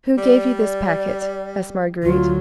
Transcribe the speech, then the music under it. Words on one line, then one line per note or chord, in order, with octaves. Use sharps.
"Who gave you this packet?" asked Marguerite.
G3 D5
D2 F#3 F4